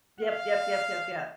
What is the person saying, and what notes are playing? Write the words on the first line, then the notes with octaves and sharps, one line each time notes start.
Yep, yep, yep, yep, yep.
F5